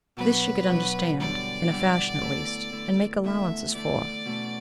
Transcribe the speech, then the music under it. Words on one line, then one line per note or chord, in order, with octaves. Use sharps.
This she could understand, in a fashion at least, and make allowances for.
B2 F#3 B3 D4 B4
B2 F#3 B3 D4
E2 D3 G3 B3 D4 D5
E2 D3 G3 B3 D4
D3 A3 E4
D3 A3 E4
E2 D3 A3 E5
E2 D3 A3 D5
B2 A3 C#4